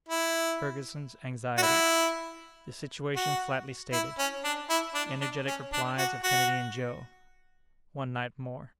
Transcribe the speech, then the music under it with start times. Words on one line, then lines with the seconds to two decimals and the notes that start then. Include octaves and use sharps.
Ferguson's Anxieties.--The Situation flatly stated.--Energetic Replies of Kennedy and Joe.--One Night more.
0.09 E4
1.58 F#4
1.62 E4
3.16 F#4
3.92 E4
4.19 C#4
4.44 D4
4.70 E4
4.95 D4
5.21 D4
5.47 C#4
5.72 D4
5.98 F#4
6.23 F#4